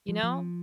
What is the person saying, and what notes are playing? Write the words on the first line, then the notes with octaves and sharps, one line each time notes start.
you know,
F3
F3